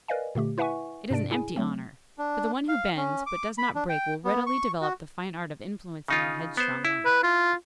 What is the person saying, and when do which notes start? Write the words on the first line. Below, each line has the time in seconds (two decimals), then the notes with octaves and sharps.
It is an empty honor, for the one who bends but does not break will readily develop the fine art of influencing the headstrong one.
0.08 A#4 B4 D5 D#5 F5 G#5
0.35 A#2 D3 A3 G4
0.58 E4 B4 E5 F#5 G#5 C#6
1.10 G#2 C3 D4 D5 D7
1.31 E4 G#4 G#5
1.56 F#3 A3 C4
2.18 D4
2.68 F5
2.96 C#4
3.26 D6
3.58 B5
3.75 D4
3.89 G5
4.24 B3
4.46 C#6
4.81 F#4
6.08 C#3 D#4 F4
6.57 B3 C5
6.85 E4
7.05 B4
7.23 F4